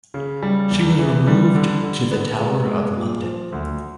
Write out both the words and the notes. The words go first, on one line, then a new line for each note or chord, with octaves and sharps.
She was removed to the Tower of London.
C#3
G3
E2
E3
G3
D3
D3
B3
G#3
G#3
A#2
F3
D2